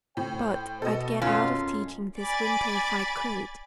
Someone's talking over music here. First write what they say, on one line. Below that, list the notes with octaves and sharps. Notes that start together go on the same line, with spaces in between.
But I'd get out of teaching this winter if I could.
A2 C5 G5
B2 A4 D#5
F#2 C#4 F4
D5 G#5 B5 D6 A6